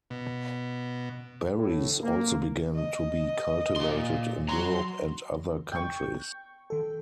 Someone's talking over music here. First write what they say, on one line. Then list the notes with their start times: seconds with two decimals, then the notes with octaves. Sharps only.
Berries also began to be cultivated in Europe and other countries.
0.10 B2
1.57 A2
2.01 A#3
2.75 D#5
3.76 A#2 C6
4.49 F#3 A#5 C6
5.72 G5 C#6
6.70 D#3 A4